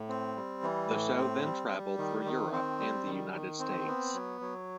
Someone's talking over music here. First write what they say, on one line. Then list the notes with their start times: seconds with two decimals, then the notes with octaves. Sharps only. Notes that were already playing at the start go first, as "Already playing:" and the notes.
The show then traveled through Europe and the United States.
Already playing: A2
0.09 C4
0.36 G3
0.63 E3
0.90 A2
1.17 C4
1.44 G3
1.71 G3
1.98 D#3
2.25 D#3
2.52 C4
2.79 G3
3.06 D#3
3.33 D#3
3.59 C4
3.87 B3
4.14 F#3
4.41 F#3